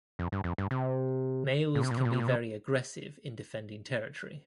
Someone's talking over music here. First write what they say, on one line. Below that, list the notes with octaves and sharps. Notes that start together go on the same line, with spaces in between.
Males can be very aggressive in defending territory.
F2
G2
F2
G2
C3
A#2
C3
A#2
C3
A#2
C3
A#2
C3